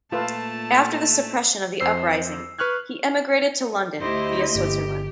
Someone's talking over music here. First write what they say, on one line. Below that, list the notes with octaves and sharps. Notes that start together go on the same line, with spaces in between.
After the suppression of the uprising, he emigrated to London via Switzerland.
A#2 A3 F4 A4 B4 A5
F2 C5 E6 C7
B4 C#6 F6 F#6 G#6
D2 E4 G4 C5 D#5
G1 G4